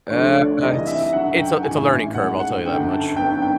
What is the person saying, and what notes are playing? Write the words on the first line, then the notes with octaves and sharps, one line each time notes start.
Uh, it's it's a it's a learning curve, I'll tell you that much.
D2 D3 F3 A3 D4 C#5
D5
C2 C3 E3 G3 C4 D#5
E5
F#2 D3 F#3 F#5
G5
A1 G2 E3 G3 G#5
G#2 D#3 G#3 C#4 F#5
F#5
G1 F#2 D3 G5
A5
F#2 D#3 F#3 B3 D4 G5
G5